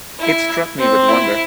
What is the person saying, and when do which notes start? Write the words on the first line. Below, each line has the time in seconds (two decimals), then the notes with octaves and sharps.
It struck me with wonder.
0.19 E4
0.78 C4
1.08 E4